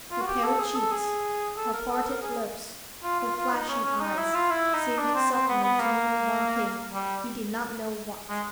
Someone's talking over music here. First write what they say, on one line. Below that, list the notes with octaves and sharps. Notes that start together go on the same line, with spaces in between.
Her pale cheeks, her parted lips, her flashing eyes, seemed suddenly to mean one thing--he did not know what.
F4
F#4
G4
A4
G#4
A4
G#4
A4
A#4
A4
A#4
G#4
F4
F4
F4
D#4
C#4
C#4
D#4
E4
F4
E4
D#4
D4
C4
C4
B3
B3
A#3
G3
G#3